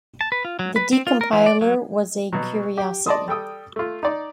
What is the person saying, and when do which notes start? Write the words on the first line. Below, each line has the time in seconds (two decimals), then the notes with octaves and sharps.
The decompiler was a curiosity.
0.21 A5
0.32 B4
0.45 F4
0.59 F#3
0.76 B4
0.93 C4
1.07 F4
1.21 A#4
1.33 E3
1.46 D5
1.61 F#3
2.33 B2 F#3
2.78 G4
3.06 D5 D#5 A5 C6 D#6
3.28 G3 A4 G5 D#6
3.76 A3 F4
4.03 D#4 D5